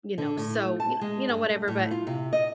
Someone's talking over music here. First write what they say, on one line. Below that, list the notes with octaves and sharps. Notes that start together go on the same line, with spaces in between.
you know, so, you kno you know, whatever, but
D3
A2
A3
A5
G#3
G2
A3
A2
F4
C3
D#5